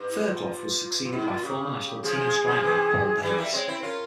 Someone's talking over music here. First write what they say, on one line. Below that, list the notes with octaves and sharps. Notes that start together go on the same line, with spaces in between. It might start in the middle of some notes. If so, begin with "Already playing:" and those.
Fairclough was succeeded by former national team striker Paul Davis.
Already playing: G2
E4
F4
G2
G#2 E4
A#2 F4
C#3 G4
C#3 F3 G#4
F3 G#3
C#3 F3
C3 E3
E3 G3 G#4
G3 A#3 E5
G#3 C4 C#5
C4 E4 C5
C#4 F4 A#4